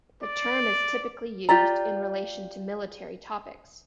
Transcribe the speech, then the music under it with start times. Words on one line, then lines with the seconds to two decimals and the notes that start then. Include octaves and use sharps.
The term is typically used in relation to military topics.
0.23 D5
1.49 F4 G4 D5 A#5